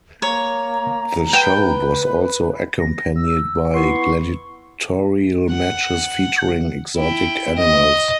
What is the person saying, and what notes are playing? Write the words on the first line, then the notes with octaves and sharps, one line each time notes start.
The show was also accompanied by gladiatorial matches featuring exotic animals.
A#3 C#5 A#5
B4 G5
A#6
E6
B3 E4 C6 C#6
F#5
E4 G5
D#5